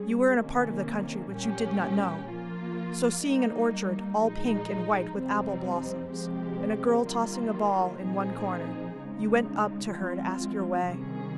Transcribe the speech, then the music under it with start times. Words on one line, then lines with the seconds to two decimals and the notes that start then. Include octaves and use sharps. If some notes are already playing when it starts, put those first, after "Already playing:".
You were in a part of the country which you did not know, so seeing an orchard all pink and white with apple-blossoms, and a girl tossing a ball in one corner, you went up to her to ask your way.
Already playing: G3 C#4 G#4
0.37 C3 D#3 A#3 C#4
1.33 A#2 G3 A#3 C#4 G4
2.28 F3 A#3 F4
3.23 G3 A#3 D#4
4.19 A#2 F3 G#3 D#4
5.14 F2 C3 G3 C4 D#4
6.10 C3 F3 G#3 C4 G4
7.04 D#3 G3 A#3 F4
8.00 A#2 F3 C4 D#4 G#4
8.95 C#3 G#3 D#4
9.90 F3 G#3 C4 F4
10.86 C3 D#3 G3 C#4 G#4